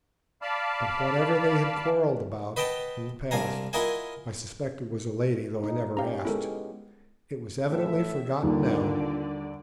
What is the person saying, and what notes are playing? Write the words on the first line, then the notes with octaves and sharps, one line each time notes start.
But whatever they had quarrelled about in the past--I suspect it was a lady, though I never asked--it was evidently forgotten now.
D5 F5 A5 B5
B4 D#5 F#5 G5 A5
C2 D4 F5 G#5 A#5
E4 F4 A#4 D#5 F#5 G#5
D#4
C#4 G4 F5 A#5
G#3 B3 E4 A4 A#4
A2 E5
D#2 A#2 D3 G3 D4 D5